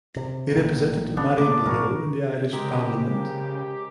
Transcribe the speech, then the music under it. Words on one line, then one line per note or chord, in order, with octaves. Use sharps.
He represented Maryborough in the Irish Parliament.
C3
A1 A#2
C#3 B3 D4
C#3 A3 A#3 D6
G2 B2 F3 F#4 A#4
C#3 G#3 G4 A#4 C5